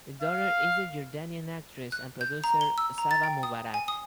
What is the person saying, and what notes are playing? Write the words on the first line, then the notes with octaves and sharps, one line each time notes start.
Her daughter is the Jordanian actress and producer Saba Mubarak.
F5
F#6
G6
A#5
G7
E6
A#5
A6
G5
D#6
G#5
D#6